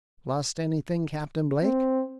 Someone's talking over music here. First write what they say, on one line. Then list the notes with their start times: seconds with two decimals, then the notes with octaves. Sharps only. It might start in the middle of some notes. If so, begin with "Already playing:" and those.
"Lost anything, Captain Blake?"
1.63 C4